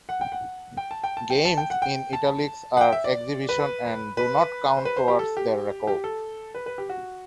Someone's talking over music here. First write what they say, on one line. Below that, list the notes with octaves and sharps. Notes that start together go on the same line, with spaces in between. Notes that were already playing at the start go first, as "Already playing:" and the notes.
Games in "Italics" are Exhibition and do not count towards their record.
F#5
G5
F#5
G5
A5
G5
A5
G5
A5
G5
F#5
G5
A5
F#5
G5
E5
D5
B4
B4
C5
B4
C5
G4
A4
G4
G4
A4
B4
B4
G4
F#4